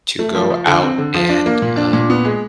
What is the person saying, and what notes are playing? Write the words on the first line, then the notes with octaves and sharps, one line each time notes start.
to go out and, um,
A3
F3
F3
D3
C4
D3
F3
D4
A#3
A#2
D4
A#2
B3
G#3